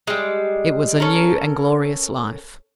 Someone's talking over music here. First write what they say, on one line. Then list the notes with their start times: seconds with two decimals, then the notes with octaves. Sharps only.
It was a new and glorious life.
0.07 G3 G#3
1.00 C#4 A4 A#4